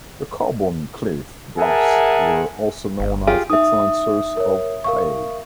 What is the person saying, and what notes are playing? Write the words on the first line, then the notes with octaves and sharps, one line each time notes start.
The Carbon Cliff bluffs were also known as an excellent source of clay.
G#4 A#4 E5 F#5 G#5 A5
G1
F4 G4 G#4
D#4 E5 D#6
A#4 C#5
A#4 F5 C#6